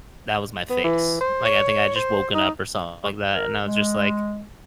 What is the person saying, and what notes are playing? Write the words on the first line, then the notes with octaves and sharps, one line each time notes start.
that was my face, like, I think I had just woken up or something like that, and I was just, like,
B3
E3
C5
C#5
C5
D#4
A#4
G#3